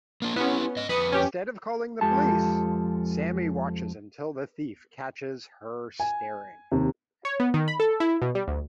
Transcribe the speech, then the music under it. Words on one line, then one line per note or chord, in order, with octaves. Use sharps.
Instead of calling the police, Sammy watches until the thief catches her staring.
A#3 D4
B3 C#4 E4 G4
G#2 D#5
F2 B4 B5 D#6 C#7
C#4 G4
F2 F3 G#3 G4 A4 A5
G#5
D#2 C3
C#5
B3
D#3
B5
A4
E4
B2
G3
D2